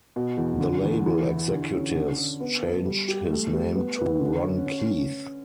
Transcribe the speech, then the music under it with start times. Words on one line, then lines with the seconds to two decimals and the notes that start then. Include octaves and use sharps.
The label executives changed his name to Ron Keith.
0.16 B2
0.37 E2
0.60 D3
0.83 E2
1.06 E3
1.29 E4
1.50 D3
1.74 C#4
1.95 D3
2.18 D4
2.40 B3
2.63 A4
2.85 G3
3.08 G4
3.31 A3
3.53 G4
3.76 B3
3.98 B4
4.21 D3
4.43 C#4
4.66 C#4